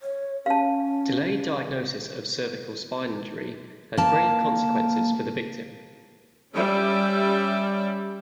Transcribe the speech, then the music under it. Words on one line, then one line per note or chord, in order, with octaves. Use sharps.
Delayed diagnosis of cervical spine injury has grave consequences for the victim.
C#5
C#4 F5 A5
A#3 A5
G3 C#4 D5 E5